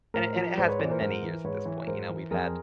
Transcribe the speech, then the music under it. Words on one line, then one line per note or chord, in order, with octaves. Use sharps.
and it and it has been many years at this point, you know, we've had
A2 A#4 C5
F3
G#2 C5 D5
B4 C#5
E3 C5 D5
A#4 C5
G#2 A#4 C5
E3
G#2 B4 C#5
E3
G#2 A#4 C5
E3
F2 G#4 A#4